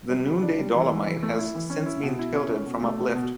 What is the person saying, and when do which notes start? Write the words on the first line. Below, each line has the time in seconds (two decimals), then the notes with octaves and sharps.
The Noonday Dolomite has since been tilted from uplift.
0.10 G3
0.26 C#3
0.42 D4
0.58 G3
0.74 E3
0.90 E3
1.06 E3
1.23 A3
1.39 E4
1.55 E3
1.70 C#4
1.86 E4
2.02 B2
2.19 E4
2.35 C#4
2.50 C#4
2.66 B2
2.83 A3
2.99 B2
3.15 B2